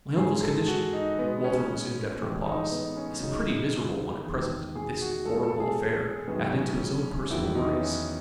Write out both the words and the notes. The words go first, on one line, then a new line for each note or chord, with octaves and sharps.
"My uncle's condition," Walter resumed after a pause, "is a pretty miserable one at present, with this horrible affair added to his own personal worries."
G#2 E3 G#3 G#4
A4
F#4
D#4
B2 G#3 B3
C#4
A2 E3 G#3
D#4
B3
C#4
F#2 C#3 F#3 D#4
E4
E2 D#3 G#3
G#4
F#4
B2 G#3 A4
A4
G#4
F#2 D#3 G#3 B3
C#4
E2 D#3 F#3 E4
D#4
B3
C#4